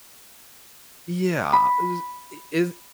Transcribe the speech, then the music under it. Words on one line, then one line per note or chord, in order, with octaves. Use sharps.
Yeah, is i is
B5